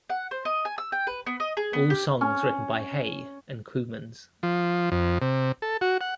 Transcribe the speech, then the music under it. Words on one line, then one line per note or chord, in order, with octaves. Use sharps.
All songs written by Hay and Kooymans.
F#5
C5
D#5
G#5
E6
G5
B4
B3
D#5
G#4
B3
G4
C#4
F3
F2
C3
A4
F#4
F#5